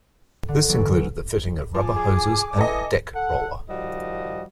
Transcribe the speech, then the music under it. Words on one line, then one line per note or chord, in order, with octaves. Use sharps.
This included the fitting of rubber hoses and deck roller.
D3
E3 F#3 B3 D4
F3 G#5 D6
G#4
E3 A4 D#5
A4 F#5
D#3 F3 G3 F#4 D#5